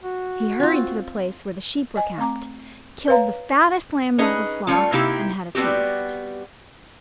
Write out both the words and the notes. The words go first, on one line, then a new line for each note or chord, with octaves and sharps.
He hurried to the place where the sheep were kept, killed the fattest lamb of the flock, and had a feast.
F#4
C4 F4
D#5 G#5
A3 C4 A#5 D6
B4 C#5 F5 A#5
C#4 D#4 G#4 B4 D#5
G3 A3 C#4 F4
C3 A#3 D#4 E4 G4
G3 B3 C4 F#4 G4